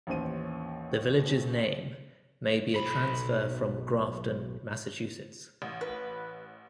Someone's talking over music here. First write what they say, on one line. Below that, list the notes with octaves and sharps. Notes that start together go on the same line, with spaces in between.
The village's name may be a transfer from Grafton, Massachusetts.
A1 D#2 C#4 C5 D#7
B1 B5
A1
B4